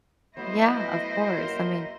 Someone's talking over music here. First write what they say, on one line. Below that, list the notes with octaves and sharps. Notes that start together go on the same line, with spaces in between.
Yeah, of course. I mean,
F#3 A3 B3 E4 C5 D#5
F#2 A#3 A#4 C6